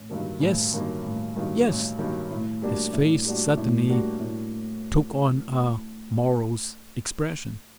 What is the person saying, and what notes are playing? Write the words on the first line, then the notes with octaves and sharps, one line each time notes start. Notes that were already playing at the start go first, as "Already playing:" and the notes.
"Yes... yes..." His face suddenly took on a morose expression.
Already playing: A1
G2 D#3 F#3 A#3
A1
G2 D#3 F#3 A#3
A1
G2 D#3 F#3 A#3
A1
G2 D#3 F#3 A#3
A2
G3 A#3 D4 F#4
A2
G3 A#3 D4 F#4
A2
G3 A#3 D4 F#4
A2